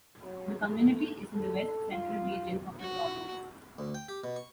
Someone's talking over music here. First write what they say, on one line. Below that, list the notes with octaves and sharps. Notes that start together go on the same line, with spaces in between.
The community is in the west central region of the province.
F#3
A3
A4
F4
F#4
D2
G5
G4
B2
C#6